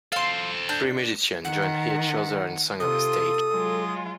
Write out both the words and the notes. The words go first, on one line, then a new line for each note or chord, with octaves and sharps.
Three musicians join each other in song on a stage.
A4 C5 F5 C6
D4 G6
D#3 F#5
C3 F4 A4 D#6
F#3 G#3 F4